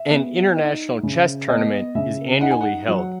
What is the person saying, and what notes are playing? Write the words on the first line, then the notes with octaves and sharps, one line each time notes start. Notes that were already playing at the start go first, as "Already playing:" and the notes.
An international chess tournament is annually held.
Already playing: E5
B3
D#4
C#3
B3 D#5
C#3 E5
D#4 F#5
G#5
F#5
F#3